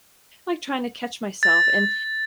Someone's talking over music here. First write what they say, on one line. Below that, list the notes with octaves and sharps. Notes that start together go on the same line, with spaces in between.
like, trying to catch myself and
A6